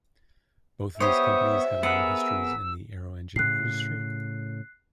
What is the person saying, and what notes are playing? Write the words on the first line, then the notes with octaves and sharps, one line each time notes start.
Both of these companies had long histories in the aero-engine industry.
B3 G4 C5 C#5 E5 D#6
B3 G#4 A#4 F#5 E6
A2 C#3 F#6 C7